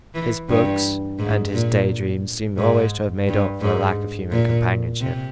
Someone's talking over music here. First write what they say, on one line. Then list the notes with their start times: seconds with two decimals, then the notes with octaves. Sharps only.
His books and his day dreams seem always to have made up for a lack of human companionship.
0.14 E3
0.49 G2
1.19 G#2
1.53 A#2
2.57 G#2
3.28 G2
3.61 G#2
4.31 A#2
5.01 C3